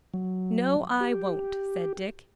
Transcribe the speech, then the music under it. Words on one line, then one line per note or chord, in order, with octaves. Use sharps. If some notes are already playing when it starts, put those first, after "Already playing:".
"No, I won't," said Dick.
F#3
G4